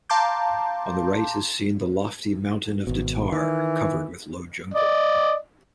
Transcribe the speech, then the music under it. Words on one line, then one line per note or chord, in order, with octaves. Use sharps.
On the right is seen the lofty mountain of Datar, covered with low jungle.
F5 A5 A#5 C6 D6 G6
G#1 B2
D#3 E3
D5 D#5